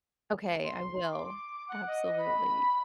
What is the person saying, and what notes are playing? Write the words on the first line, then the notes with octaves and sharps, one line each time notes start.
Okay, I will. Absolutely.
C6
D6
F#5
D#5
B5